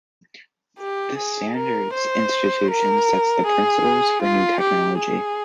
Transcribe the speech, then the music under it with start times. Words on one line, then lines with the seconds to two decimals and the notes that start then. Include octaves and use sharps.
This standards institution sets the principles for new technology.
0.79 G4
1.17 G#4
1.56 A#4
1.94 C5
2.70 A#4
3.46 G#4
4.21 F4
4.60 G4
4.98 G#4